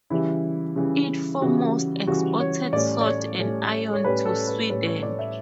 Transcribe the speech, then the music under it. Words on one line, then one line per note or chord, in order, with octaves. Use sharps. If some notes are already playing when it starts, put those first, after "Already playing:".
It foremost exported salt and iron to Sweden.
C#3 E3 G3 E4
C#3 E3 G3
C#3 E3 G3 F#4
C#3 E3 G3 F#4
C#5
A2 G3 C#4 D5
D5
C#5
A2 G3 C#4
C#5
A2 G3 C#4 B4
A4
B4
A2 G3 C#4 B4
C#5
D5
E5